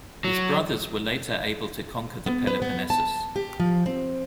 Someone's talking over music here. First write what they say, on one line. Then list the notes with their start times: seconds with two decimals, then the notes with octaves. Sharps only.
His brothers were later able to conquer the Peloponessus.
0.25 F#3
2.26 B3
2.47 B4
2.62 B3
2.90 A5
3.36 G4
3.60 F3
3.86 C4